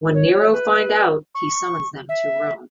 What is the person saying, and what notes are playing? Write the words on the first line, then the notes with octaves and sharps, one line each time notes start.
When Nero find out, he summons them to Rome.
C#5
B4
C#6
E5